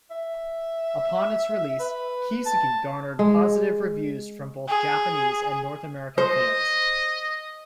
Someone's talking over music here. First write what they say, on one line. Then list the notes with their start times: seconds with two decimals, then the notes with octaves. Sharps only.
Upon its release, "Kiseki" garnered positive reviews from both Japanese and North American fans.
0.11 E5
1.80 B4
2.46 A5
3.19 G#3
4.68 G#4
6.18 C5 D#5